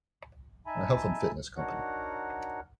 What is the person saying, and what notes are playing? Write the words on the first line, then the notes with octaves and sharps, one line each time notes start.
A health and fitness company.
D#4 E5 G#5 A5 B5
D4 D#4 F#4 A#4 C#5 F#5